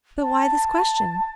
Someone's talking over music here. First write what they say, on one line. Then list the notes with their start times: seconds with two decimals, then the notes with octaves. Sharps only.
"But why this question?"
0.22 A5